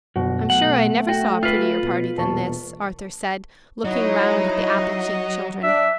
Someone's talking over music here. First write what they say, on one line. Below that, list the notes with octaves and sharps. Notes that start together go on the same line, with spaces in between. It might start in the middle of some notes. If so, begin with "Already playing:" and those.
"I'm sure I never saw a prettier party than this," Arthur said, looking round at the apple-cheeked children.
G1 F#2 B2 F#4
B1 A3 F#5
F#4 G5
F4 B4 F6 C7
B2
E1 A#2 A5 C#6
F#3 D#4 E4 C#5 D#5
D4 E5